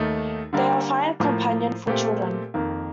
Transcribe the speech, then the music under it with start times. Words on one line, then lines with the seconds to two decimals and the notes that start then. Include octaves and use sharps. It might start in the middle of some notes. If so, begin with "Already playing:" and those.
They are fine companion for children.
Already playing: D#2 D#3 A3 D#4
0.53 D3 G3 A#3
1.20 A2 F3 A#3
1.87 A#2 A3 C4 G4 A#4
2.54 F2 D#3 A#3